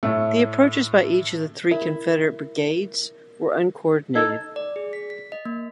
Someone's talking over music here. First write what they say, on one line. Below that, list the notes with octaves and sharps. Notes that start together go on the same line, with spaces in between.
The approaches by each of the three Confederate brigades were uncoordinated.
A2 A3
E4 A#4
D#4 A4 G#6
D5
G#4
B6
B6
D#5
A#3